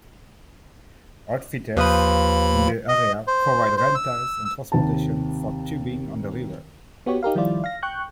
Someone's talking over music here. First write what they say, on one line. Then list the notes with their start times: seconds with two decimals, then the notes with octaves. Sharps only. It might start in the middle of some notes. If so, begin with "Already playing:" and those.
Outfitters in the area provide rentals and transportation for tubing on the river.
1.77 D#2 F3 B4 B5 D#6
2.88 D#5
3.27 C5
3.77 C5
3.95 E6
4.45 E6
4.72 D#2 C3 A5
7.06 B3 F#4 G4 C#5
7.23 D#4 G4 A#4 F5
7.35 D#3 F3 G3 E4 F4 D5
7.64 F5 A#6
7.83 G5 C#6 F#6 G6